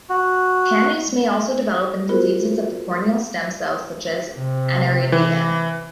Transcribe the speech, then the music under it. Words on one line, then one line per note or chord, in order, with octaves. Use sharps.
Pannus may also develop in diseases of the corneal stem cells, such as aniridia.
F#4
B3 F4 F#4 G#4 A#4 C5
C3
E3